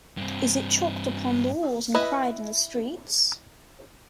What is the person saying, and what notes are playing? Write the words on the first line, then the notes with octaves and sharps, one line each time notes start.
Is it chalked upon the walls and cried in the streets?
G2 C4
E4 B4 D#5